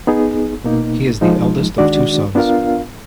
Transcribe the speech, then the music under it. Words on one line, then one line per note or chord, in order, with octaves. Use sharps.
He is the eldest of two sons.
B3 D#4 G#4
B2 A#3 D#4
F3 G#3 D#4
D#3 G#3 D4 F#4 D5
B3 D4 F4 A#4 F5